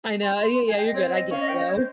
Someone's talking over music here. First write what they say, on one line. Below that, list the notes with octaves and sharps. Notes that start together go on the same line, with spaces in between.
I know, yeah, yeah, you're good I get you though.
C6
C6
G#5
G5
D#5
C4 C#5
D#5
C#4 F5
D#5
G5
D#5
C#5
C5